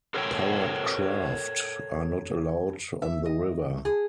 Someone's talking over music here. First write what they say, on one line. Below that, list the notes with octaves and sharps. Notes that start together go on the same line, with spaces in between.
Powered craft are not allowed on the river.
A4 A#4 C#5 F#5 G5
E5
D#5
G#4